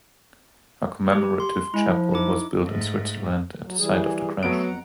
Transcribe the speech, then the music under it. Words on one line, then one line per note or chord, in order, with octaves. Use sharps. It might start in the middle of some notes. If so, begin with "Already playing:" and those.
A commemorative chapel was built in Switzerland at the site of the crash.
G4
C6
G#3 E4
F3
D#4 E4 D6
G#2 A3
F#3
E3 G3 G#4
F#3 A3 B3 A4 D7
F2 F#5 A#5